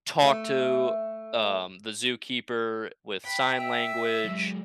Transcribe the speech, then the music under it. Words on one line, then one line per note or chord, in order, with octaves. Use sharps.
talk to, um, the zookeeper with sign language,
A3
G5 B5
E5
F#3 G#3